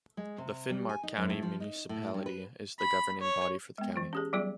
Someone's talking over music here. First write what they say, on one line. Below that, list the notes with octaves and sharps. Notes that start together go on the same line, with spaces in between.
The Finnmark County Municipality is the governing body for the county.
G#3
C3
G3
G#5
D#4
F#2
A2
F3
D#4
A2
G2
B4
B5
C#5
G#3 B3
E3 F4
C#4 G4 G#4
F#3 G3 B3 F4 G#4 D5